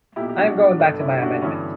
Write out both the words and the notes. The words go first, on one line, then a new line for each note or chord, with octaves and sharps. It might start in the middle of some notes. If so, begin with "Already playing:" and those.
I am going back to my amendment.
B1 A#2 E4 G4
G4
D4 F#4
D4
G1 G2 D3 D4
C#4 E4
G4
D4 F#4
G1 G2 E3 C#4 E4